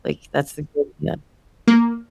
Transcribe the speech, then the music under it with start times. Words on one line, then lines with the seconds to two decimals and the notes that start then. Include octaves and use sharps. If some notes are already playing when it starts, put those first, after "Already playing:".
Like, that's the good yep.
1.67 A#3